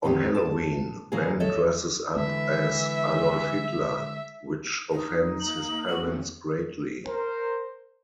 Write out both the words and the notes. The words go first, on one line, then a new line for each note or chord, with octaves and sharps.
On Halloween, Ben dresses up as Adolf Hitler, which offends his parents greatly.
D#3 F#3 C4 D#4 G4
A5
C#3 E3 F#3 A#3 G#4
A4 C#5 D#5 E5
D3 E3 G#3 E5
D#4
A#3 F#7
A3 C4 C#4 F#4
A#4 C5